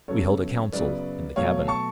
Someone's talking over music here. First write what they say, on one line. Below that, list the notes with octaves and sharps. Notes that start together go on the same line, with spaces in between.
We held a council in the cabin.
F#2 C#3 F#3 B3 A4 C#5
F#2 C#3 F#3 B3 B4 D5
B2 F#3 A3 C#5 F5
A5 C#6